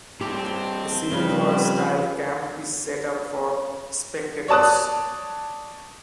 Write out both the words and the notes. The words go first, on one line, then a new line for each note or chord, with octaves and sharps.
A Civil-War style camp is set up for spectators.
G2 C4 E4 G4
C#3 F3 G3 B4
C#5 D5 A5 D#6 F#6